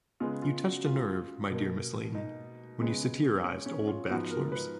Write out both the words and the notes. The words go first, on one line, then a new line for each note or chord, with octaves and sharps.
You touched a nerve, my dear Mrs. Layton, when you satirized old bachelors.
C#3 G#3 B3 F4
F4
F#4
F4
B2 A#3
D#4
C#3 G#3 B3
C#4
C#4
F4
G#2 F3 B3 F#4
A#4
B4